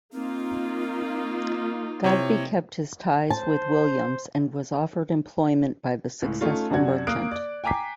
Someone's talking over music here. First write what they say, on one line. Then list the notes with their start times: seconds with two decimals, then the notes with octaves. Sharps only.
Godbe kept his ties with Williams and was offered employment by the successful merchant.
0.13 A#3 C4 D#4 F4
2.04 C3 E4 C#5
3.30 C5 A5
6.22 C#2 A2
6.41 A3 C#4 D#4 F4
6.70 F#2 C3 D4 F#4 G#6
7.07 A#3 F5 D#6 F#6 D7
7.31 D5
7.64 G5 G#5 A#5 D6 B6 C7